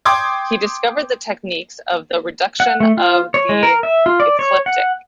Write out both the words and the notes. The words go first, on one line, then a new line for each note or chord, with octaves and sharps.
He discovered the techniques of 'the reduction of the ecliptic'.
G5 C6 D6 D#6 G#6
F#5
A3
F4
C#5
G#3
A#4
E5
F4
D5
C#5
F#5